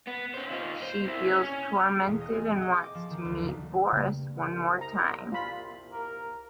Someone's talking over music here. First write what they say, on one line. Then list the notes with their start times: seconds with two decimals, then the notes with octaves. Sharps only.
She feels tormented and wants to meet Boris one more time.
0.07 B3
0.34 C#4 C5
0.50 D#3 F4
0.82 C5
1.05 C3 E4
1.32 C#4
1.94 G#4
2.07 E1
2.21 D#5
2.34 G#5
2.50 C4
2.62 D#5
2.76 D6
2.95 F3
3.10 D#3
3.25 D2
3.38 F#1
3.93 G2 C#3 A#3
4.37 C2
4.81 A#5
5.32 F4 B5
5.93 A#4